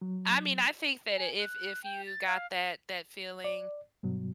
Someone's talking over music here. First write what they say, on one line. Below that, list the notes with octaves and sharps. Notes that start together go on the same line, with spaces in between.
I mean, I think that if if you got that that feeling,
F#3
G#5
F#6
G5
A6
F5
D5
G2 B2 F#3